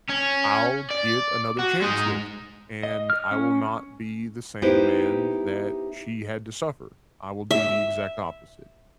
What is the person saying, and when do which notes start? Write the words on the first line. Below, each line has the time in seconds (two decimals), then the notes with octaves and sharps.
I'll get another chance with her, and I will not be the same man that she had to suffer. I will do the exact opposite,
0.09 C#4
0.91 D5
1.59 F#4
1.82 G#3 D#4
2.83 D#5
3.10 F6
3.31 C#4
4.62 B3 D#4 E4 G4 B4 C5
7.51 E5